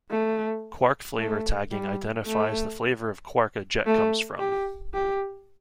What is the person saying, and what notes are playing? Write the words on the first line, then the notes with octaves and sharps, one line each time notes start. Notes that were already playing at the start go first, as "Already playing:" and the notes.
Quark flavor tagging identifies the flavor of quark a jet comes from.
A3
A3
G3
A3
A3
G4
G4